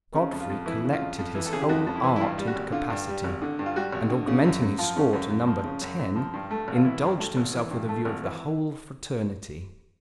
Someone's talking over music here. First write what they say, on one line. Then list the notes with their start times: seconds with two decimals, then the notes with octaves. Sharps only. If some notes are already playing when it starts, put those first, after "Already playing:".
Godfrey collected his whole art and capacity, and, augmenting his score to number ten, indulged himself with a view of the whole fraternity.
0.14 C#3
0.32 F2
0.40 F4
0.50 F2
0.66 E3 E4
0.84 C#3
0.93 F4
1.01 F2
1.18 F2
1.35 E3
1.45 A4
1.53 C#3 G#4
1.61 G4
1.69 F2 F#4
1.87 F2
1.96 E4
2.03 E3
2.16 E4
2.21 G2 F4
2.38 G3
2.47 F#4
2.56 G#1
2.72 D3 F4
2.90 G2
3.07 G3
3.24 G#1
3.42 D3
3.59 G2
3.66 F4
3.76 G3 F#4
3.92 G#1
4.10 D3
4.27 C#3
4.45 F#2
4.62 F#2
4.78 F3 F4
4.96 C#3
5.13 F#2
5.30 F#2
5.47 F3
5.64 C#3
5.82 F#2
5.99 F#2
6.16 F3
6.33 G2
6.50 A3
6.68 G#1
6.76 F4
6.85 E3 E4
7.02 G2
7.19 A3
7.37 G#1
7.53 E3
7.71 G2
7.89 A3
8.05 G#1
8.22 E3